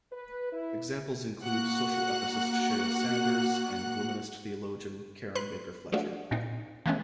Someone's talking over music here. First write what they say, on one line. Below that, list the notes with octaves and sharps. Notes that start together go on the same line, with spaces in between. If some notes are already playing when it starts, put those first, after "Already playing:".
Examples include social ethicist Cheryl Sanders and womanist theologian Karen Baker-Fletcher.
B4
E4
A#3 F#4 F#5 F#6
B4 C6 F#6
F3 A3 D4 F4 F#4
A#2 C4 D#4
E3 F3 G#3 A3 B3 C#4